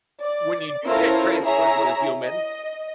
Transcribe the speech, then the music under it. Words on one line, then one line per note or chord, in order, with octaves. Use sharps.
when you do get transferred to a human
D5
C#4 E4 F4 A4 A#4 C5
E4 G#4 C#5 E5 A#5
D#5